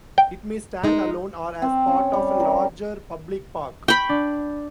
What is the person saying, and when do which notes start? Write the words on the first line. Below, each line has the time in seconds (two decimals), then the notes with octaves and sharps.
It may stand alone or as part of a larger public park.
0.18 G5
0.84 G#3 D#4
1.62 C4
1.87 C#4
2.13 G3
2.40 A#4
3.88 G5 B5 C#6 G6
4.09 D4